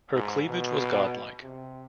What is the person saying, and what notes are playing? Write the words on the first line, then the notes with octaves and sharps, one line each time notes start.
Her cleavage was godlike.
G#2
B2
C3